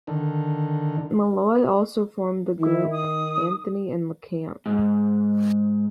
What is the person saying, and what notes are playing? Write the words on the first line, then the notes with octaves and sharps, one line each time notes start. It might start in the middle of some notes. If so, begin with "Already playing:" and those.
Malloy also formed the group Anthony and the Camp.
D3 D#3
D#3 E4
D#6
G#2